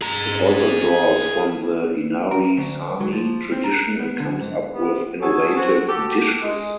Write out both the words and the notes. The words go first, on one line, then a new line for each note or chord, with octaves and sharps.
It also draws from the Inari Saami tradition and comes up with innovative dishes.
G#4 A#5
A#4
D2
F#3
F3
C4
A#4
B3
D3
G#2
C3 B3
F#3 F#4 G#4 A4 C#5 G#5
C4 F#4
F#4 G4 A4
G#3